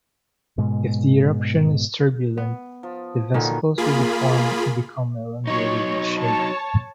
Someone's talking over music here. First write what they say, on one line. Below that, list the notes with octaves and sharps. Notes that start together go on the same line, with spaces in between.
If the eruption is turbulent the vesicles will deform and become elongated in shape.
G#2 B2 G#3
B3
F3
A#2 D3 D#3 F#3 B3 D#4
A#3 F4 G#4 B5
F#3 D#4 C#5
C#5 A5